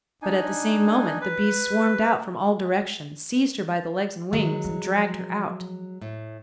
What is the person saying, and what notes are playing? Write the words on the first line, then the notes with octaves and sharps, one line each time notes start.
But at the same moment the Bees swarmed out from all directions, seized her by the legs and wings, and dragged her out.
D4 D#4 G#5
B4
D#3 F#3 G#3
F3
A2